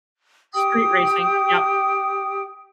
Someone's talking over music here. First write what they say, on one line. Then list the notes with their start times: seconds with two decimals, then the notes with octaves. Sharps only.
Street racing, yep.
0.54 G4 G5 D#6